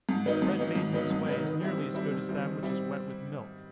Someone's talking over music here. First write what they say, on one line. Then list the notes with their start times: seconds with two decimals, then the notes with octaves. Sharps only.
Bread made in this way is nearly as good as that which is wet with milk.
0.09 G#2
0.26 D#3 F#3 B3 D#4
0.42 G#2
0.58 D#3 F#3 B3 D#4
0.75 G#2
0.93 D#3 F#3 B3 D#4
1.10 G#2
1.26 D#3 F#3 B3 D#4
1.44 D#3
1.61 G3 C4 E4
1.78 D#3
1.94 G3 C4 E4
2.11 D#3
2.29 G3 C4 E4
2.46 D#3
2.63 G3 C4 E4